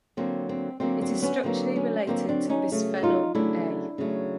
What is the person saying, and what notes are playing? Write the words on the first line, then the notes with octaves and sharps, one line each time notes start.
It is structurally related to bisphenol A.
D3 F#3 A#3 C4
C4
D3 F#3 A#3 C4
C4
B3 C#4
D3 F#3 A#3 C4
B3 C#4
D3 F#3 A#3 C4
C4 D4
C#4 D#4
C#3 F#3 A3
D#4 F4
C#3 F#3 A3 D4 E4
C#3 F#3 A3